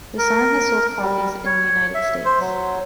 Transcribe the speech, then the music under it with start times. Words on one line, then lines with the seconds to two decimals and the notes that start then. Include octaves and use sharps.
The song has sold copies in United States.
0.18 A#4
0.99 G3
1.46 C#5
1.95 E5
2.25 C5
2.40 F#3